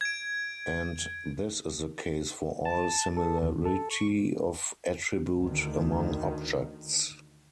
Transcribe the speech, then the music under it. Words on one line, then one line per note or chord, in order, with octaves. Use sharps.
And this is the case for all similarity of attribute among objects.
G#6 D7
A5
A4
D#2
A4
C#6
D2 D#3